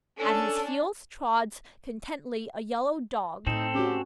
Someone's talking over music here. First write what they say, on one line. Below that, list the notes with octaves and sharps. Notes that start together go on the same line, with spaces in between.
At his heels trots contentedly a yellow dog.
C#4 D4 A4
A2 C4 D#4 A4
C#4 F#4 G4